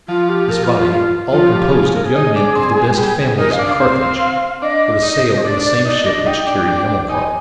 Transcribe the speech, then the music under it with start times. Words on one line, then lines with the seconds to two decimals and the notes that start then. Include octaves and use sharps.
This body, all composed of young men of the best families of Carthage, were to sail in the same ship which carried Hamilcar.
0.08 F3 F4
0.29 G4
0.50 A#4
0.64 F4
0.77 F4
0.91 F4
1.32 F3 F4
1.53 G4
1.73 G#4
1.84 G#4
1.94 A#4
2.04 G#4
2.15 D#4
2.36 D4
2.55 C4
2.77 G#3
2.97 G3 G#4
3.18 G#4
3.38 D#4 A#4
3.52 F5
3.59 D4
3.66 F5
3.80 C4
4.62 D4 D#5
5.03 D#4
5.37 C5
5.45 D4 D5
5.65 D5
5.85 D#4 D5
6.06 D4 D#5
6.26 D#4 G5
6.47 D4
6.67 D4
7.09 D#4 G#5